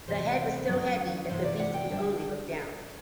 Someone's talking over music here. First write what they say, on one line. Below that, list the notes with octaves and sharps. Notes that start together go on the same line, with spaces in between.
The head was so heavy that the beast could only look down.
E2 C3 E3 C5
F#2 D3 F#3
C3 E3 B3 E4 C5
D5
F#5
G5
D3 G3 D4